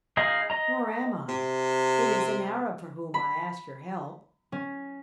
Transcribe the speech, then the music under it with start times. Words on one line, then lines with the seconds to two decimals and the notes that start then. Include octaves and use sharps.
"Nor am I. It is an Arab for whom I ask your help."
0.17 D#4 G#4 D#5 F5 B5
0.50 D#5 A#5
1.29 C3
3.14 B5
4.52 C#4